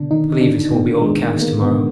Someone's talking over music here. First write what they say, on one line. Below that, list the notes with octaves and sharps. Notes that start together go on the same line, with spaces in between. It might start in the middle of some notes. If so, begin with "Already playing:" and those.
I believe it will be overcast to-morrow.
Already playing: B2 D3 D4
D#3 D#4
D3 D4
B2 B3
G#3
A#3
A#3
B2 B3